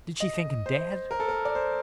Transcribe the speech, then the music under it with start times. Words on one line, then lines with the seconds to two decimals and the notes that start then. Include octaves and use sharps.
Did she think him dead?
0.20 D#5
0.66 C5
1.11 A#4
1.20 A4
1.29 A#4
1.45 D5
1.55 C5